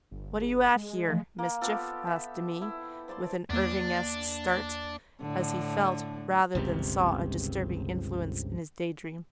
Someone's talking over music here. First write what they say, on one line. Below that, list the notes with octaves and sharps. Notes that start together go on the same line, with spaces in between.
'What are you at here, Mischief?' asked Demi, with an Irvingesque start, as he felt rather than saw a disturbing influence in his day-dream.
G1
G#4
G#3
E3 F3 A3
A#3
B3 F4 G4 A4
E5
E4
C5 D5 A5 C6
E2 A#3 D4
A2 D3
G1 C#2 C3